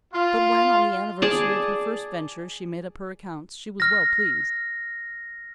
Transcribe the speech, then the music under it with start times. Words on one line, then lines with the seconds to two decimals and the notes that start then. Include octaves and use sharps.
But when on the anniversary of her first venture she made up her accounts she was well pleased.
0.14 F4
1.22 G#4 D5 A5
3.80 F6 A#6